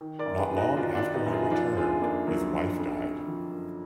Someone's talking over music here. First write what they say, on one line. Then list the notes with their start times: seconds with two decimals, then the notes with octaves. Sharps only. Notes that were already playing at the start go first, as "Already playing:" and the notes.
Not long after he returned, his wife died.
0.01 D#3
0.19 A#4 D5
0.26 F#2
0.38 G#4 B4
0.51 F#2
0.57 D#4 F#4
0.76 D#3 D4 F4
0.94 D4 F4
1.01 D#3
1.14 B3 D#4
1.26 F#2
1.33 F4 G#4
1.46 D#4
1.51 F3 D4 F4
1.77 F2 F4 G#4
2.01 F2 A#3 D4
2.27 F3 F#3 A#3
2.51 F3
2.78 F2
3.03 D3
3.28 F3
3.53 F#2